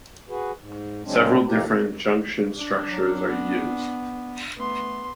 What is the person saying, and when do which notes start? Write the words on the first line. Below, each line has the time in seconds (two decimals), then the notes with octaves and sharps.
Several different junction structures are used.
0.29 F#4 G#4 B4
0.58 G#2
1.04 C#3 F#3 G#3 C4 D4
1.47 A2 C3 F3 A#3 D#4 G4
2.57 D4
2.86 F#3
3.29 B3
4.57 A3 B3 C6